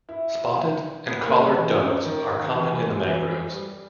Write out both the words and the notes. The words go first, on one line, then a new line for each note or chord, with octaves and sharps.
Spotted and collared doves are common in the mangroves.
E4
B3
A#3
G3
E3
C#3
D#3
E3
A#3
G#3
G3
E3
G3